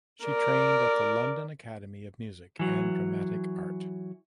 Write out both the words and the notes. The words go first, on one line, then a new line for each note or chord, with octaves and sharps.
She trained at the London Academy of Music and Dramatic Art.
A#4 D5
E3 F#3